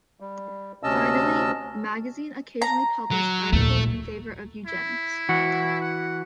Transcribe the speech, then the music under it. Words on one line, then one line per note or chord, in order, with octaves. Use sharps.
Finally, the magazine occasionally published articles in favor of eugenics.
G3
D2 C3 C#4 D#5 A5 E6
A#5
F#3
A#1 D#2 A3
E4
E3 F#4
F#5